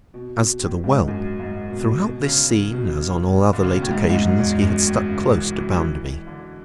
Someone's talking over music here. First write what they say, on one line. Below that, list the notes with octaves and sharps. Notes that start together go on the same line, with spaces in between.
As to the whelp; throughout this scene as on all other late occasions, he had stuck close to Bounderby.
B2
B2
A2
G#2
F#2
G#2
B2
B2
C#3
B2
D3
C#3
B2
A2
G#2
G#2
F#2
E2
F#2
A2
C#3
E3
E3
E3
D3